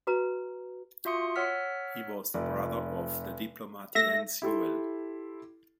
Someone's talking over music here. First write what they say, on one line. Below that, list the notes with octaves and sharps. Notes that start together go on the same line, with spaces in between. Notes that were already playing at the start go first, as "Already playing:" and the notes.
He was the brother of the diplomat Jens Juel.
F#4 B4 A#5
F4 F#4 E5 C6 D#6 C#7
C#5 F#5 E6 F6 B6
F1 D5
A3 E5 A#6
E4 G4 A4 C6